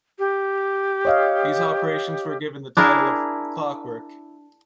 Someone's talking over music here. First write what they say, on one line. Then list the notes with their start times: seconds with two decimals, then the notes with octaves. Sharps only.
These operations were given the title of "Clockwork".
0.19 G4
1.05 C#5 D#5 F5
2.77 D4 E4 G#4 A#4